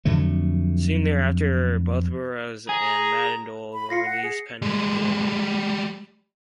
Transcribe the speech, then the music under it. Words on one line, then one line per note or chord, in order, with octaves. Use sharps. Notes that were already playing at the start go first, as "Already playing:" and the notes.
Soon thereafter both Burros and Madole were released pending appeal.
F2 D3 F#3 A3
G#4 A#5
B5
F4 A#6 C7 C#7
F#5
G#4
G3 G#3